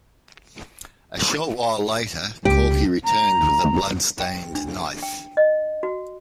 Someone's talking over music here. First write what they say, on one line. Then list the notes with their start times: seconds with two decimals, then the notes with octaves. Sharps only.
A short while later, Corky returns with a bloodstained knife.
2.45 C#2 G4
3.05 A#5
4.20 G5
4.55 D4
5.03 G5
5.37 D#5
5.83 F#4